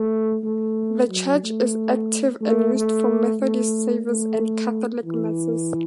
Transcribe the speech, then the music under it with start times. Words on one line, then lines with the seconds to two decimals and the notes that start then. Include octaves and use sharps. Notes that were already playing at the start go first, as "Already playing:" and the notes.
The church is active and used for Methodist services and Catholic masses.
Already playing: A3
0.44 A3
1.10 F#3
1.43 A3
2.41 A3
2.75 A3
3.40 A3
4.06 A3
5.04 E3